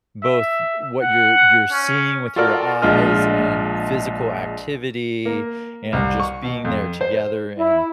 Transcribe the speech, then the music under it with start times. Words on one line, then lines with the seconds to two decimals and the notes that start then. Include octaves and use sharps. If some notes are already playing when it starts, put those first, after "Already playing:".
both what you're you're seeing with your eyes and physical activity and just being there together, and
0.23 E5
1.02 F#5
1.72 C#4
2.36 F4 F#4 A4 A#4 D5 F6
2.82 A#1 G#3 D4 F4 D#5 F6
5.26 A#3
5.93 C2
6.20 C#6
6.43 B2
6.65 F2
7.01 C5
7.59 E4